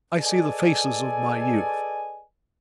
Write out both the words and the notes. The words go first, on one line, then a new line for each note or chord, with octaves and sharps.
I see the faces of my youth.
G#4 A4 B4 D5 D#5 G#5